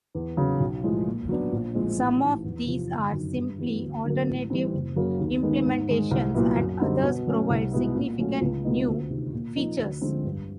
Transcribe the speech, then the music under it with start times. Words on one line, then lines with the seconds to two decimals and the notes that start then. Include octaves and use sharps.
Some of these are simply alternative implementations, and others provide significant new features.
0.15 E2
0.37 C#3 F#3
0.60 B1
0.83 A2 F3 G#3
1.06 A#2
1.29 F#3 B3 D4
1.52 A#1
1.75 A2 F3 G#3 C4
1.98 A1
2.21 G#2 E3
2.44 E2
2.66 C3 F3
2.90 G1
3.13 F#2 D#3
3.36 G2
3.58 E3 G3 B3
3.81 D2
4.04 D3 F#3 A#3
4.28 A1
4.50 A2 E3 G3 C4
4.74 F#1
4.96 F#2 C#3 F#3 A#3
5.19 D#2
5.43 D#3 G#3 B3
5.66 G#2
5.88 D#3 G#3
6.11 C2
6.34 A#2 F#3 B3 E4
6.57 F#2
6.81 D3 G3 C4 D#4
7.03 B2
7.27 F#3 A3 C#4
7.50 C2
7.72 B2 G#3 B3 E4
7.95 A#2
8.18 F#3 A3 C#4 F4
8.41 C#2
8.65 B2 G#3 B3 D#4
8.88 D2
9.10 C3 D#3
9.32 A#2
9.56 F3 A#3 D#4
9.79 D2
10.01 D3 F3 G#3 C4
10.25 G2